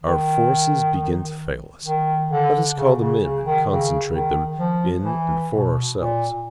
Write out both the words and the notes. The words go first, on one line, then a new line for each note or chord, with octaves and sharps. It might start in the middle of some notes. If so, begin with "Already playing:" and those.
Our forces begin to fail us; let us call them in and concentrate them in and for ourselves.
D#3
D#3
D3
C#3
C#3
C#3
D#3
C#3
D#3
F3
E3
B2
A#2